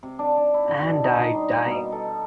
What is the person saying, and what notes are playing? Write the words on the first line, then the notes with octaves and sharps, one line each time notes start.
And I dying!
C3
D4
D4
E4
D3
B2
D#4
C6
G3
A#3
B2
A4